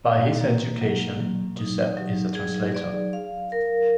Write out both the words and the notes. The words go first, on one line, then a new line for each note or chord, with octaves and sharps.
By his education Giuseppe is a translator.
A#3
A#3
F#3
F#3
D#4
F#3
G#4
D5
F5
A#4